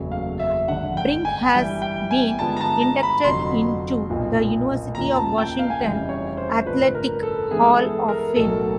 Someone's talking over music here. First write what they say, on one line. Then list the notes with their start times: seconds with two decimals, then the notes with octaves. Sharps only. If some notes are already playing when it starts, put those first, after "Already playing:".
Brink has been inducted into the University of Washington Athletic Hall of Fame.
Already playing: F#1 E2 C#3 F#3 A3
0.12 F5
0.39 E5
0.68 G#1 G2 D3 F#5
0.97 G5
1.25 G#5
1.54 G2 E3 G3 G5
1.82 G5
2.11 G#5
2.39 G2 D3 F3 G#3 B3 A5
2.57 A#5
2.61 A5
2.81 A#5
3.03 B5
3.24 F1 F2 D3 F#3 C6
4.10 B1 A#2 F3
4.95 D#2 C#3 F3 A#5
5.16 A5
5.38 G5
5.59 F5
5.70 G#5
5.80 F1 F2 C#3 E3 G3 G5
6.09 C#5
6.37 C5
6.66 A1 G2 D3 F3 B4
6.95 A#4
7.23 A4
7.51 G2 E3 G#3 B3 G#4
7.80 A4
8.09 A#4
8.36 B1 A2 F#3 A#3 A4